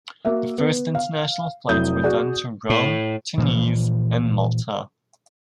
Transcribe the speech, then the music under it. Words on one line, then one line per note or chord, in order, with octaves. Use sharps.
The first international flights were done to Rome, Tunis and Malta.
A#3 F#4 E5
B3
F5
F1 F#3 E4 D#6 G6
F#4 G#4 D5
A2
A#2 E3 F3